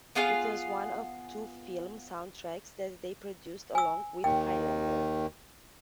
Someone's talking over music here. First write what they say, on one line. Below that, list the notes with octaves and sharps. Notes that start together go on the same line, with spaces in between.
It was one of two film soundtracks that they produced along with "Highlander".
B3 F4 G#4 F5
G#5 E6
D#2 D#3 G5